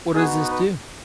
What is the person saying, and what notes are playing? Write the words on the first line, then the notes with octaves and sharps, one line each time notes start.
What does this do?
B3 D#4 F#4 G#4
B4